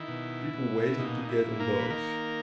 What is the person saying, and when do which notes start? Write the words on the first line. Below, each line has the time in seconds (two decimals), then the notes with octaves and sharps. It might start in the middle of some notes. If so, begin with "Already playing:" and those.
People waiting to get on boats.
Already playing: D#3 E4
0.08 B2
0.54 B2
0.99 A#2 D#4
1.24 D#4
1.29 E4
1.44 A#2
1.60 A#3 A#4
1.79 B4
1.90 D#3 A#3 A#4